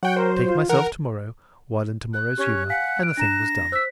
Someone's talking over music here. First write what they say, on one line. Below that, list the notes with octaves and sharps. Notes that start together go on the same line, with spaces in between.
Take myself to-morrow while in to-morrow's humour, and the thing was done.
F#3 F#4 F#5 G5
A#4 C5
F4
E3 A#4 F#5
F#6
C#4 G4
F5 F#5 G#5 B6
D7
D4 A#5 A#6 E7
C5 E6 B6